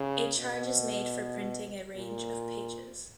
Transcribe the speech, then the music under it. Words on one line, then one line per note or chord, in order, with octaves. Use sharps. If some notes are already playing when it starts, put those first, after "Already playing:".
A charge is made for printing a range of pages.
Already playing: C#3
B2
A#2